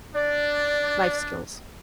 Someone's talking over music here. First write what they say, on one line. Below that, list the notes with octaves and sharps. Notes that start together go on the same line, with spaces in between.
Life skills.
D4 D5